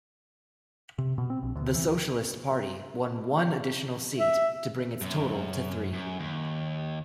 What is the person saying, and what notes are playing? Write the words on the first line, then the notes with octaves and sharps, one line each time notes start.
The Socialist Party won one additional seat to bring its total to three.
C3
B2
C4
A#1
D2
E3
E5
F#2
F#2
D#2